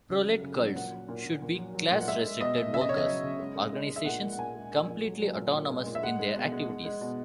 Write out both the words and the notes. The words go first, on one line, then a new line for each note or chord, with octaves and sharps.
'Proletkults' should be class-restricted, workers' organizations, completely autonomous in their activities.
C#3
F#3
C#3
F#3
A#2 F#5
F#3
A#2
A#2
A#2
F#3
F#3
A#2
F#5
G#3 E5
G#3
B2 D#5
B2
C#3 E5
D#5
C#3 C#5
D#5
F#3
C#3
G#3
G#3
G#3
G#3
E5
A#2 F#5
A#2
F#5
A#2 G#5
G#3
A#2
A#2
F#3
F#3
A#2
A#2
G#3
A#2
E5
G#3 F#5
G#3
B2
G#3
G#3
G#3
B2